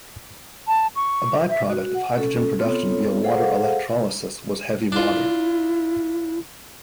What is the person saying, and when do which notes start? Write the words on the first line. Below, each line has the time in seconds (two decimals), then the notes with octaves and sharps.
A by-product of hydrogen production via water electrolysis was heavy water.
0.68 A5
0.96 C#6
1.49 E5
1.70 F#4
1.95 F#5
2.17 C#4 A4
2.59 B3 C4 F4 A4 C#5
3.23 G#4 A4 C5 F5 F#5
4.92 D4 E4 F4